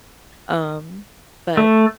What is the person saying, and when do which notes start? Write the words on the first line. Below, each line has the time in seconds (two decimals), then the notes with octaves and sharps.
Um, but
1.57 A3